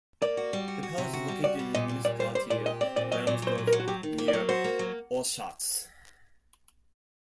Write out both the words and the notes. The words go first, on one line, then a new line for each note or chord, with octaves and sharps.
The palace is located in the municipality of Wermsdorf near Oschatz.
A#3 D5
F#4
G3
F#4
F#4
C3
F#4
G3
F#4 D5
G3
A#2 D#5
G3
A#2 D5
G3 C5
G3 C5
A#2 D5
G4 D#5
C4 D5
A#2 D5
F#3 D#5
A#2 D5
F#3 C5
A#2
A#4
F#3
F#4
F#3 G4
D#3
A#3
D5
F#3
F#4 C5
A#3
F#3